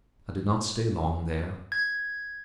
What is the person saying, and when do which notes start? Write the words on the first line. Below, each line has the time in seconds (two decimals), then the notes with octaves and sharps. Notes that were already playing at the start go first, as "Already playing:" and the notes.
I did not stay long there.
1.72 G#6